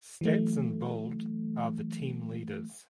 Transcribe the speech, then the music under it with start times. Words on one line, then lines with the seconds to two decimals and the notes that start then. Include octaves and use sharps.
Stats in bold are the team leaders.
0.21 E3 F#3 A3